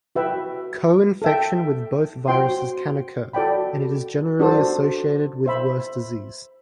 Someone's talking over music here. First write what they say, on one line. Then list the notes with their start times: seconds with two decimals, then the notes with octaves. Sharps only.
Co-infection with both viruses can occur, and is generally associated with worse disease.
0.15 F#4 B4 E5 G5
1.22 A4 E5 G5
2.28 F#4 C5 G5 C6
3.33 F#4 A4 D5 G5 B5
4.40 D4 F#4 A4 C5
5.46 C5 E5 B5